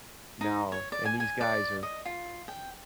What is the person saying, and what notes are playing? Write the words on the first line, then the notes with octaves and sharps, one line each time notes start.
now, and these guys are
D#4
C#5
D5
G#5
G#5
D5
D#5
F4
G5